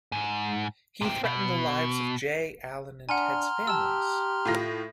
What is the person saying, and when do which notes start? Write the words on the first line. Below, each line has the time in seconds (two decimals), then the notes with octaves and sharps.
He threatened the lives of Jay, Alan, and Ted's families.
0.12 G#2
1.01 A#2 C4
1.25 B2
3.09 D4 F#5 G#5 A#5 C6 F6
3.67 G4 A5 E6
4.45 A2 F4 A#6